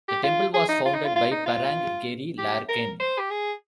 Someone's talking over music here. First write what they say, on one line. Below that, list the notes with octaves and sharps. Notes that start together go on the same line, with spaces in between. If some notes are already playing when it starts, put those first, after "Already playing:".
The temple was founded by P'arang Geri Larkin.
G4
F4
G#4
D#4
F4
D#4
F4
F4
D#4
F4
G4
A#4
C5
G4
G#4